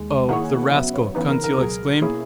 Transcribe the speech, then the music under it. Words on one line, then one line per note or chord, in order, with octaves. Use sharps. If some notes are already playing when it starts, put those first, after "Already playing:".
"Oh, the rascal!" Conseil exclaimed.
Already playing: D#2 G#3
D#3 A#3 E4 G#4 C#5 F#5
C#3 F#3 B3 E5
C#5
C#3 E3 B3 D#4 B4
A#4
A#4
C#2 B2 F#3 G#4
B2 A#3 C#4 E4 G#4